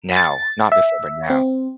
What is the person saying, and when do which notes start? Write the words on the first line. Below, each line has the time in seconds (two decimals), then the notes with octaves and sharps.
Now. Not before, but now.
0.17 A6
0.72 E5
1.30 C4